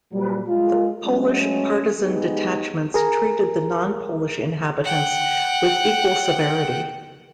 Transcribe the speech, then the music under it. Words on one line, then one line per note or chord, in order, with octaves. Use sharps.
The Polish partisan detachments treated the non-Polish inhabitants with equal severity.
A#2 F#3 G3
G#3 F4
F#3 G#3 A3 C#4
G#3 B3 D#4 G4 G#4
G#4 A#4 A#5
F#5 G5